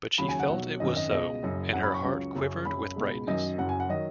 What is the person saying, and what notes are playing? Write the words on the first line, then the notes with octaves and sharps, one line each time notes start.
But she felt it was so, and her heart quivered with brightness.
D#2 C#3 F#3 B5
G#5
F#5
B1 B2 F#3
G#1 F#2 D#3 F#3 D#5
D#5
C#2 B2 G#3 D#5
F#1 F#2 C#3
F#1 F#2 F#3 F#5
B5
C#6
C#2 C#3 F#3
F#1 F#2 C#3
F#1 F#2 C#3 B5
C#2 B2 G#3
F#2 D#3 F#3 D#5
F#1 F#2 F#3 F#5
G#5
F#5
D#3 F#3 D#5